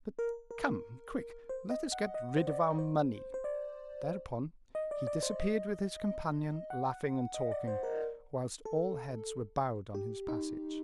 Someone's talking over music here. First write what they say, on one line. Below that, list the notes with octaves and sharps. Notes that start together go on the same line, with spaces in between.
"But come, quick! let us get rid of our money." Thereupon he disappeared with his companion, laughing and talking, whilst all heads were bowed on his passage.
A#4
A#4
C5
D#5
F#5
D#5
C5
D5
C5
C5
D5
D#5
D5
D5
C5
D#5
F#5
D#5
D5
C5
A#4
A4
G4
D#4